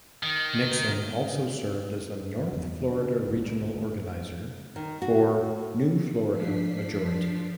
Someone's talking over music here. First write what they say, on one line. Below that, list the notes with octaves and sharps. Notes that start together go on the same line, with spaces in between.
Nixon also served as the North Florida regional organizer for New Florida Majority.
D#3
E2 G#3
C#3 B3 C4 D4
G1 C2
D#3
F#4
F3 D4 B6 C7